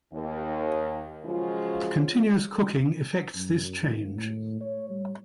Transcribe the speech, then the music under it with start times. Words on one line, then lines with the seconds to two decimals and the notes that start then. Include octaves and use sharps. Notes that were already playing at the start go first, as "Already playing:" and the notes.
Continuous cooking effects this change.
0.12 D#2
1.26 C#3 F3 F#3 G#3 F4
3.35 F#2
3.82 G#1
4.16 A2
4.61 C#5
4.90 G3